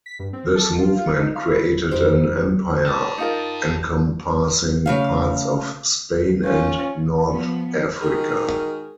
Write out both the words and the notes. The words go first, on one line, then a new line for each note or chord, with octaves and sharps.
This movement created an empire encompassing parts of Spain and North Africa.
B6
G2
C4
A4
F4
F4
D#4
F5
E4
F2 D#4 G4 C5
G5 A5
D#4 F4 A#4
C#3 A3 F5
C#4 F4
F3 B3
D#3 G#3 F#4 G#4 A#4